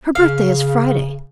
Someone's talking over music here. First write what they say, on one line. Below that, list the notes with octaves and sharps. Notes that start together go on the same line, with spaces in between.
Her birthday is Friday.
C#3 F5